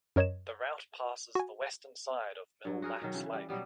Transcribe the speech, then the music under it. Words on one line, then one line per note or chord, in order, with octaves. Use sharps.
The route passes the western side of Mille Lacs Lake.
F#2 A#4 C#5 D#5 G#6 E7
F#4 G#5
G2 F#3
F#4 G#4 A#4
B2 D#3 F#3
C#3 E3
G3
B2 F#3 G3 B3